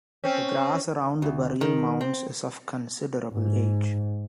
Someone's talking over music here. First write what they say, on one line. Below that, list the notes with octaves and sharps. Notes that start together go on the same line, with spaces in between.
The grass around the burial mounds is of considerable age.
C4 C#4
D2
D#3
C4
G#2